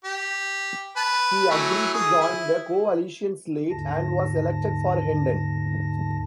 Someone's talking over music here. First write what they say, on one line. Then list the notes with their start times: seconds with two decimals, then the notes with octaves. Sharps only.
He agreed to join the Coalition slate and was elected for Hendon.
0.04 G4
0.96 B4 A5
1.50 E3 F#3 A3
1.94 G#4
2.21 E4
3.70 D#2 G#2 D3 A5 A#6